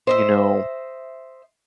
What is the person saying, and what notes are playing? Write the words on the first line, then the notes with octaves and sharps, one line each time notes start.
you know,
C5 D#5 E5